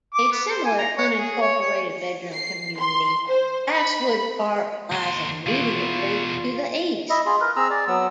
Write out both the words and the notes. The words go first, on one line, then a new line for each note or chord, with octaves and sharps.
A similar unincorporated bedroom community, Grasswood Park, lies immediately to the east.
D6
B3
C5
G#5
A#5
C#5
G#4
C#5
C#5
C7
C6
C5
B5
D#2 C6
E2 B2 F4
E4 D#5 E5
F4 G#4
A#4 B4
C4 G#4 A#5 E6
G#4 D5
F#3 B3 E6